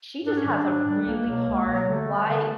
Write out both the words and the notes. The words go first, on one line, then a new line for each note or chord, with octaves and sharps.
she just has a really hard life,
G#2 D4
C#4
D#3 G3
D4
G#2
D#3 G3
C#2 A#3
B2 F#3
C#2
B2 F#3
D3 A3
G3 B3
D3